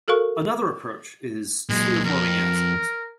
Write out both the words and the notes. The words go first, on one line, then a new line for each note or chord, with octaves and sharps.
Another approach is sphere-forming assays.
F#4 A4 A#4 F5 C#6
A#2 F#3 G#3
F2 A#4